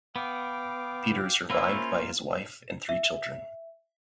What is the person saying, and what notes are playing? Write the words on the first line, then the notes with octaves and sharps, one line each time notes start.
Peter is survived by his wife and three children.
B3 F5 G5 D6
A#3 C#4 E4 F4 C5 C#5
E5